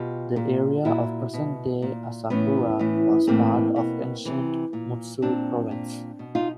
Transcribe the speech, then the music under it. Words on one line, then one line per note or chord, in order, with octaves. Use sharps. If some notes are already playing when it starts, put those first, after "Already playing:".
The area of present-day Asakura was part of ancient Mutsu Province.
Already playing: B2 F4 G4
A#2
A#2 E4 F#4
B2
A#2
A2 E3 B3 C#4
A2 E3
A2 E3 A#3 C4
B2
C3 E3
A#2
A#2 C4 D4
A#2
B2
D#4 F4